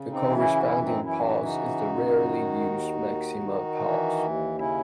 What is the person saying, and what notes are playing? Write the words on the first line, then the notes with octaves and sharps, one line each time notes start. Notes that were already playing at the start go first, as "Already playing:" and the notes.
The corresponding pause is the rarely used maxima pause.
Already playing: C#3
C4 D#4
E3
C#4 E4
F#4
F#2 C#4 E4
C4 D#4
E3 C#4 E4
D#4 F#4
C#3 D#4 F#4
F#2
D#3
D#2
D#3
D#3
E3
D#2
C#3 C#4 E4